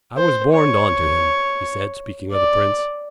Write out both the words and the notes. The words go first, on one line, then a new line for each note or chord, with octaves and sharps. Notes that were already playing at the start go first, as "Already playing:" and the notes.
"I was borned on to him," he said, speaking of the Prince.
C5
C#5
D5